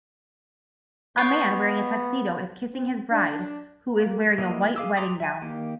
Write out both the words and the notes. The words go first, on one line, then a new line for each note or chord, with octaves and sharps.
A man wearing a tuxedo is kissing his bride, who is wearing a white wedding gown.
B3 F4 C#5 G5
C4
D4
A#3
E3 G3 A#3 D#5
G#4 F5 D6 E6
A#5 C6 D6 D#6
E5 G#5
D#3 A#3 G4